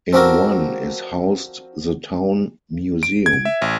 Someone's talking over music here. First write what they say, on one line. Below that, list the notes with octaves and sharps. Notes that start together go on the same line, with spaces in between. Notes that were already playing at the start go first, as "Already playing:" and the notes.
In one is housed the town museum.
F3 C4 D4 F#4 A4 A#4
D7
G#6
E5
A1